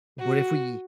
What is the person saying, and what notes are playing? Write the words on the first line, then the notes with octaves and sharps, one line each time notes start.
what if we
F#4